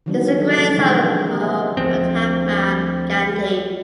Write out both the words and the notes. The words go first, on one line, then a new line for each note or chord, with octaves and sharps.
He is the grandson of Mahatma Gandhi.
D#3 E3 F#3 G3 C4 D4
F#3 A4 D#5
D#3 F3 G#3 C#4
B2 D3 E3 F3 G#3 C4
A#3 G4 A#4
E5 F#5
D2 F3 C4